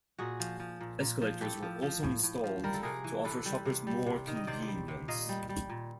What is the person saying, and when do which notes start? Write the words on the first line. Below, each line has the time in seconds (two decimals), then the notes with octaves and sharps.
Escalators were also installed to offer shoppers more convenience.
0.19 A#2 F#4 G#4
0.40 F3
0.60 F3
0.81 A#2
1.01 A#2
1.22 F3
1.41 A2 G4 A4
1.63 F3
1.82 F3
2.03 A2
2.23 A2
2.44 F3
2.64 G3 A#4
2.74 A4
2.83 C3 G#4 A#4
3.04 E3
3.24 C3 A4 B4
3.45 G3
3.65 C3
3.87 G3
4.06 C3
4.27 D#3
4.36 D#5
4.47 C3 C5 D5
4.68 G3
4.88 C3
5.08 A#2 D#5 F5
5.29 G3
5.49 G3
5.70 A#2